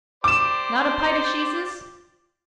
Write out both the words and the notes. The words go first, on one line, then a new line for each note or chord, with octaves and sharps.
Not a pite of sheeses?
G4 C5 D5 D6 E7